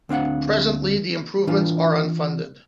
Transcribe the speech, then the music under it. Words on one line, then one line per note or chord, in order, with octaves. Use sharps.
Presently the improvements are unfunded.
D2 C4 D4 F5 F#5
E3 D4 F4